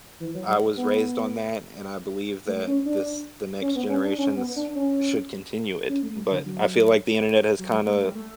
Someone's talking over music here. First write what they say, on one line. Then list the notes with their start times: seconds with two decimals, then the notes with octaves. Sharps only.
I was raised on that, and I believe that this the next generations should continue it, but I feel, like, the internet has, kinda,
0.20 E3
0.34 F#3
0.48 G3
0.77 B3
2.47 A3
2.67 C#4
2.85 D4
3.61 C#4
3.75 B3
3.89 C#4
4.04 D4
4.18 C#4
4.36 B3
4.56 D4
4.75 C#4
5.89 C#4
6.02 A3
6.16 G3
6.31 D3
6.46 F#3
7.59 F#3
7.73 G3
7.86 A3
8.02 G3
8.15 A3